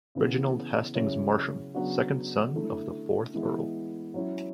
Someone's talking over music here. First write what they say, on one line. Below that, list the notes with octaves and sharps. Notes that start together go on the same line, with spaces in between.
Reginald Hastings Marsham, second son of the fourth Earl.
C#3 E3 B3
C#3 F#3 C#4 E4
C#3 F#3 B3 D4 F#4
D3 A3 E4
E3 G#3 B3 E4
F#3 C#4 E4